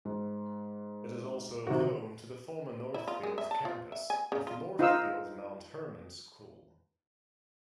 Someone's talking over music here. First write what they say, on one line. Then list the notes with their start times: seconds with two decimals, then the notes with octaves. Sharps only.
It is also home to the former Northfield campus of Northfield Mount Hermon School.
0.05 G#2
1.67 C3 D#3 F#4
2.94 E4
3.08 F4
3.23 G#3
3.38 E5
3.51 A5
3.65 F4
3.92 E5
4.10 G#5
4.32 C#3
4.47 F4
4.79 D#4 F4 C5 D#5 F5 E6